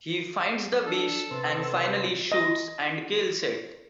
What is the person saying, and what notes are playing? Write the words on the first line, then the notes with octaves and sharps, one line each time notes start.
He finds the beast and finally shoots and kills it.
D4 A4
C3 B4
D#5